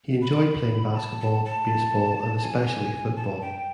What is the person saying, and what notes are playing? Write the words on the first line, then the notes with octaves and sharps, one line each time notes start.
He enjoyed playing basketball, baseball, and especially football.
B5
A5
A5
A5
G#5
A5
G5